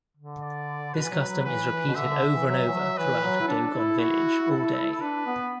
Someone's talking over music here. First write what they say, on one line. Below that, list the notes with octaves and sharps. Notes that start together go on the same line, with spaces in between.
This custom is repeated over and over, throughout a Dogon village, all day.
D3
D5
B2 B4
E3
F#3
F#3
E3 B4
E3
B2
D3 E5
D3
E3
F#3 E5
E3
F#3
E3 B4
F#3
E4
D4 A4
E4
F#4
A4
D4 B4
B3